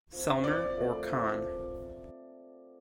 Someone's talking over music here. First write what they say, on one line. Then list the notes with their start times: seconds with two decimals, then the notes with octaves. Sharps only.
Selmer or Conn.
0.13 F3 C4
0.44 A#2 D5
0.76 F3 A3
1.07 A#2